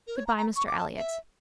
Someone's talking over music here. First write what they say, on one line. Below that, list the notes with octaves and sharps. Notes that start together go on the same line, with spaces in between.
"Good-bye, Mr. Elliott."
A#4
C#5
A#5
A#5
C#6
D6
A5
E5